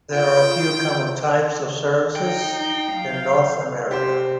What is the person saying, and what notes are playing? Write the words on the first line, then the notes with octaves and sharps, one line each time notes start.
There are a few common types of services in North America.
F4 G5
D#4 G5
F#3 F5
C3 G4 C5